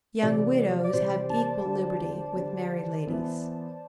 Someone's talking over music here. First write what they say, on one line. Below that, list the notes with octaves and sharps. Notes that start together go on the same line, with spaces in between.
Young widows have equal liberty with married ladies.
C3 E3 G3 D5
D5
C3 E3 G3 C5
A5
D3 G3 D4
D3 G3 D4
E3 B3 E4